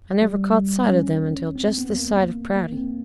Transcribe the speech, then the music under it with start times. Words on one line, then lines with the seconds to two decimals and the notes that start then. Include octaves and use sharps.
I never caught sight of them until just this side of Prouty.
0.22 G3
0.89 C#4
1.56 C4
1.67 C4
1.78 B3
1.89 A#3
2.56 A#3
2.73 C4